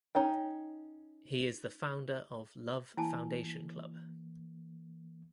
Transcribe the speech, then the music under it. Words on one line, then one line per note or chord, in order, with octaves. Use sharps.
He is the founder of Love Foundation Club.
C#4 D#4 C#5 G5
E3 A#3 E4 G#5 A5